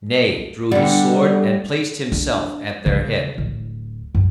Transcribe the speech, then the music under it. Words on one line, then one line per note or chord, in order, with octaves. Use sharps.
Ney drew his sword and placed himself at their head.
D3 G3 B3
D4
C#3
D1
F#2